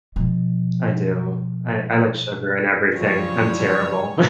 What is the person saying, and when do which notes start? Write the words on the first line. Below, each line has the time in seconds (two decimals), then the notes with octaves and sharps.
I do. I I like sugar in everything. I'm terrible.
0.16 B2 F3
2.91 F#2 C#3 F3 G3 C#5